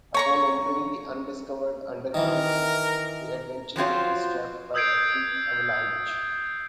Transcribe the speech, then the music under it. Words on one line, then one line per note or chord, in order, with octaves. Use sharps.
Upon entering the Undiscovered Underground, the adventurer is trapped by a freak avalanche.
C#5 A#5 C#6
D#3 E3 A#4
F3 F#3 C4 F4
D#6 E6 G6 G#6 C7 D7